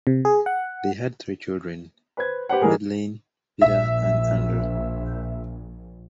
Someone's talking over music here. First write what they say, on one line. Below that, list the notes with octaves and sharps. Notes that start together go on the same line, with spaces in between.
They had three children: Madeline, Peter, and Andrew.
C3
G#4
F#5
B4 C5 G#6
G4 B4 C5 F#5
E3 G3 G#3 G#4 A#4
A#1 E5